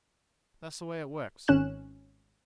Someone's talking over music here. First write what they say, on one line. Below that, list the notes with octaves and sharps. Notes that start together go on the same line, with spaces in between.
That's the way it works.
G#1 C#4 F#6 E7